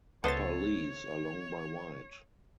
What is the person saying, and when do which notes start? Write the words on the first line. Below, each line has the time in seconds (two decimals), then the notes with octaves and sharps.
Upper leaves are long by wide.
0.24 C#2 B3 A4 C5 C#5 E5 A6